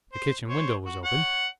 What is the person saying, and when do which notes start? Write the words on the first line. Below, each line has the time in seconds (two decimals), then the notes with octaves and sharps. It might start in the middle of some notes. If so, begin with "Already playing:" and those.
The kitchen window was open.
0.13 C5
0.48 C5 C#5
0.86 F#4
1.04 C#5 F#5